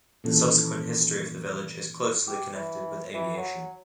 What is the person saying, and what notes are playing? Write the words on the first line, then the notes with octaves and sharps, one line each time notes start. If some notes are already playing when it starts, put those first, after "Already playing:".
The subsequent history of the village is closely connected with aviation.
A#2 D#3 E3 C#4 A4
G4
E3
E3
F#3